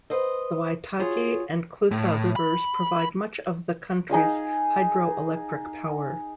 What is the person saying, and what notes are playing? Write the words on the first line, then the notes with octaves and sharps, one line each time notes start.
The Waitaki and Clutha rivers provide much of the country's hydroelectric power.
B4 C5 D#5
F4 F#4 G#4 C#5
A2
B5
D#4 G#4 D#5 F5